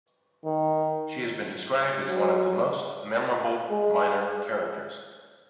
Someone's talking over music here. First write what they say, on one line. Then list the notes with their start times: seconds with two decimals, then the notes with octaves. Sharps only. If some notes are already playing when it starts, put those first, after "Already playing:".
She has been described as "one of the most memorable minor characters".
0.45 D#3
2.08 F#3
3.71 G#3